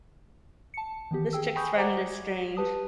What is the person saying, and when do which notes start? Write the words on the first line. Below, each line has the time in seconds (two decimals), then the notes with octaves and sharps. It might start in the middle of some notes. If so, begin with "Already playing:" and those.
this chick's friend is strange."
0.74 A5 C#7
1.11 D#3 E3 B3 G4
1.33 G#4 G5 E6
1.55 G5 G#5 B5 C#6 D#6 G6
1.76 C5 D5 F#5 A#5 D6 G#6
2.57 G4 B4 A5 D#6